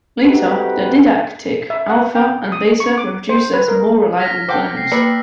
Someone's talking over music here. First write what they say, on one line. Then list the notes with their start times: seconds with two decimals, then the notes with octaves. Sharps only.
Later, the Didaktik Alfa and Beta were produced as more reliable clones.
0.25 A3 C4 D#4 F#4 G4 B4
1.70 E5
1.90 F#5
2.15 G5
2.52 D#6
2.80 C#6
2.98 D6
3.29 C5
3.53 B4
3.68 A#4
4.19 F6 A#6 B6
4.49 C5 F#5 G5 A5 D6
4.77 C7
4.92 A#3 B4 D5 E6 F#6